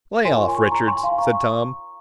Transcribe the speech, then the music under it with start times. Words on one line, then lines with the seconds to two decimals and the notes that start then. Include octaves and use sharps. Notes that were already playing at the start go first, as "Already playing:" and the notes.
"Lay off, Richards," said Tom.
0.24 F4 A#4 C#5 G#5 C6
0.40 C#6
0.48 G#5 C6
0.71 A#5 C#6
0.88 G#5 C6
1.03 F5 G#5
1.18 A#5 C#6